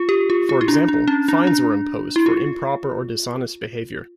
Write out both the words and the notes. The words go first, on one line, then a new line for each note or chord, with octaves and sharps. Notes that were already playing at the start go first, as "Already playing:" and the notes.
For example, fines were imposed for improper or dishonest behaviour.
Already playing: F4
G4
F4
F4
E4
D4
D4
C#4
D4
D4
E4
F4